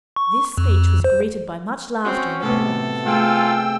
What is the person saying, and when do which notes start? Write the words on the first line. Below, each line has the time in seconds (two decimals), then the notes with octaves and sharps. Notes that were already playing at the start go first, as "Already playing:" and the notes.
This speech was greeted by much laughter and applause.
0.16 C#6
0.57 F2
1.04 C5
2.05 C4 C#4 F#4 D#5 C#6
2.42 A2 C3 B3 A4
3.06 A3 F4 G#4 G5 E6